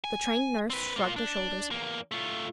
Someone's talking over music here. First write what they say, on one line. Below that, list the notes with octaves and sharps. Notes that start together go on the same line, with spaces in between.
The Trained Nurse shrugged her shoulders.
G#5
C4 B4
A#3 F4
D4
E2 A#3
A3 F4